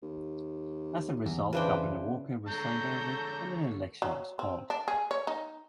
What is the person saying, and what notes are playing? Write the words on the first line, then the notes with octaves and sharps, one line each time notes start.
As a result Governor Walker resigned early and an election was called.
D#2
E2
C#3 E3 D4 B4 C5 G5
D3 G#3 A4 C#5 A#5 G6
F#3
C4
D4
G#4
C#5
D#4